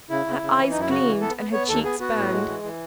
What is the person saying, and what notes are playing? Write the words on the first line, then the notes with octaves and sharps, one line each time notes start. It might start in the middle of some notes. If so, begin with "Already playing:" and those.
Her eyes gleamed and her cheeks burned.
C#3 E4
C#3
C#3
E3
F#2 D#4
E4
C#3 F#4
E3
B3 A4
B3
B3 C#5
D#2 A4
B3 G#4
B3 F#4
A2
G#3
E3
E3